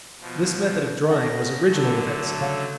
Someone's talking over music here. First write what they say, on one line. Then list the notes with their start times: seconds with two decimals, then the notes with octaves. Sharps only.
This method of drying was original with Edison.
0.21 B2 F3
1.10 C#3 A4 D5 F#5 A#6
1.69 D3 F#3 A3
2.41 C#3 C#5 F5